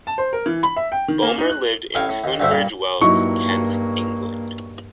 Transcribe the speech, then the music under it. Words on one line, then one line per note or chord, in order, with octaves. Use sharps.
Bulmer lived in Tunbridge Wells, Kent, England.
A5
C5
A#4
E3
B5
E5
G5
D#3
A#3
D#4
F#6
A1 A2 F5 G5 G#5
A2
D#2
D2 G2 A3 D4 C5 E5
G2 A#2 A#3
G2 F#3 A#3 D#4 E4 C#6